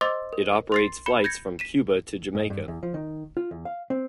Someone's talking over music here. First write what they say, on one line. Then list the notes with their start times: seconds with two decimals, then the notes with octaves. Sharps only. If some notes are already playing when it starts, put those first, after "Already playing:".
It operates flights from Cuba to Jamaica.
0.01 C5 D#5 C6 D6 E6 A6
0.33 A#4
0.72 C6 A6 C7
1.06 B5 C#7 G7
1.24 G6 G#6 A#6 C#7
1.59 B6 D#7 E7
2.35 G#2
2.50 G2
2.68 E2
2.83 F3
2.94 D#3
3.37 F4
3.51 E2
3.65 F5
3.90 C4